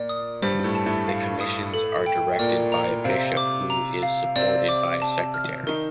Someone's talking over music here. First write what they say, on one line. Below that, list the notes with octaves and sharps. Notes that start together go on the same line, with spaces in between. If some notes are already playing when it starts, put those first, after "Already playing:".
The commissions are directed by a bishop, who is supported by a secretary.
Already playing: A#2 A#3 D5
D#6
G2 G3 C5
A2 A3
A5
A2 A3
F5
D#6
A4
G5
A#2 A#3 D5
A#5
C3 C4 F5
D6
A#5
F5
C3 C4 D5
D6
A5
F6
D#3 D#4 A#4